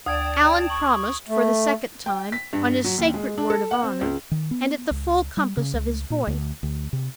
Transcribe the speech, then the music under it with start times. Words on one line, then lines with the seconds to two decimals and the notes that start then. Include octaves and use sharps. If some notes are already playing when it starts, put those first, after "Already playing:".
Allan promised for the second time, on his sacred word of honor, and at the full compass of his voice.
0.06 D2 D5 G5 A5 D#6 G#6 D7
0.70 C#6 F#7
1.29 A3
2.06 G5
2.32 B6
2.53 G2
2.84 F#3
2.98 D#2
3.14 G#3
3.38 D4
3.50 A4
3.71 F#5
3.83 C4
4.01 C#2
4.31 D#3
4.51 B3
4.91 C#2
5.37 G3
5.57 C#3
5.74 C#2
6.10 A#2
6.27 D2
6.63 D2
6.93 C3